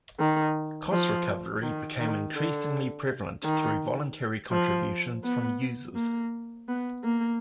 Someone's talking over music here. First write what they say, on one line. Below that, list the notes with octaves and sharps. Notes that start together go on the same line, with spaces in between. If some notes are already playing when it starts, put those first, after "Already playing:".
Cost recovery became increasingly prevalent through "voluntary" contributions from users.
D#3
F3
D#3
D#3
D3
D#3
F3
B3
A#3
B3
A#3